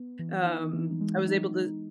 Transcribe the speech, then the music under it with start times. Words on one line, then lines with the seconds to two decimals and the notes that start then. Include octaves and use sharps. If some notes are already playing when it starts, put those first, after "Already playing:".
um, I was able to
Already playing: B3
0.19 E3
0.46 D#4
0.74 E3
1.01 G#3
1.28 D#4
1.54 D#4